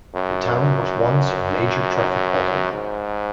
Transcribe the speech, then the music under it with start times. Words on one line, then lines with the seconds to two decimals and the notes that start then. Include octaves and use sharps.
The town was once a major traffic bottleneck.
0.15 F#2
2.72 G#2